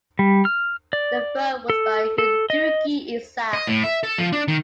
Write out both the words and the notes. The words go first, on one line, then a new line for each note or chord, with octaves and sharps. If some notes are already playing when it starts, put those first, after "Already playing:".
The throw was by Dougie Isaacs.
G3
F6
D5
A4
A4
D#5
D#5
A2
E5
A4
F3
D4
D#3